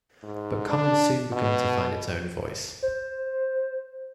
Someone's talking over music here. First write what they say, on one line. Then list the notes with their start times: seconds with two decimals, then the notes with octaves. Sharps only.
But Commons soon began to find its own voice.
0.23 G#2
0.70 D4
1.32 B2
2.83 C5